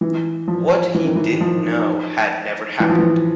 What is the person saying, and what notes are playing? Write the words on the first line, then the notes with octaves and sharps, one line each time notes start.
What he didn't know had never happened.
E3
F3
E3
D#3
E3
F3
E3
F3
E3